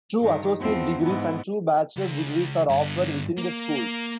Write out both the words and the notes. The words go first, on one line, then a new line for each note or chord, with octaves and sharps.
Two Associate Degrees and two Bachelor Degrees are offered within the School.
G2 D#3
E2 F3 C4
G#2 E3 B3
C#2
G2 D3
A#3